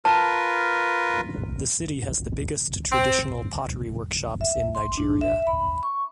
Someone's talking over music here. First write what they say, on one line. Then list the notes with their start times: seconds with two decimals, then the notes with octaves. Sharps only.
The city has the biggest traditional pottery workshops in Nigeria.
0.05 F4 A#4 B4 A5
2.92 C4
4.41 E5
4.75 C6
4.97 D4
5.21 E5
5.47 B5
5.83 C#6